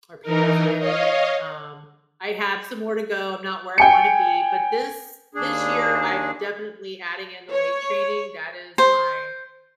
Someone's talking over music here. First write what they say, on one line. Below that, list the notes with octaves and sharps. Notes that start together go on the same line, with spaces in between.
or pant sizes. Um, I have some more to go. I'm not where I wanna be. But this this year, I'm definitely adding in the weight training. That is my,
E3 D#4 A#4
C#5 D#5 F5
G5 G#5 C#7
D#2 D4 G#4
C#5
C5